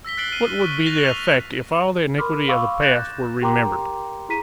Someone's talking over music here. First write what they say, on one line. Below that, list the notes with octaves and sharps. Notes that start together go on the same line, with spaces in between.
What would be the effect if all the iniquity of the past were remembered?
E6 A#6 B6 G7
F#6 A6 C7 D7 F#7 G7
F6 C7 D#7
C#6 E6 D#7
F#6 A6 A#6 F7
F6 D#7 F7
A#4 B5 C6 D6 F6
F5 B5 C#6 D6 E6
F#6 G6 A6 A#6 E7
G4 A#4 G5 A#5 C6 D6
E4 G#4 A#5 B6 D#7